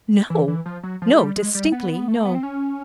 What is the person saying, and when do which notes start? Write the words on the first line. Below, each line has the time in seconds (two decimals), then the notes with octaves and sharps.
"No, no--distinctly no."
0.30 E3
0.48 E3
0.66 F3
0.83 F#3
1.02 F3
1.12 G#3
1.19 G3
1.36 G#3
1.55 G3
1.72 B3
2.08 A3
2.17 A#3
2.25 B3
2.35 C4
2.43 C#4